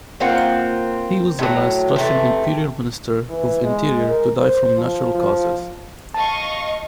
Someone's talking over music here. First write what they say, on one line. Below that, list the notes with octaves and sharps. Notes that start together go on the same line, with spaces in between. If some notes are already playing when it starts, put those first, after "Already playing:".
He was the last Russian Imperial Minister of Interior to die from natural causes.
A#3 C4 F4 F#5
A2 F#3
C3 E3 A3
E3
G#3
A#4
C5
F3
F3
D#5 F5 A5 C#6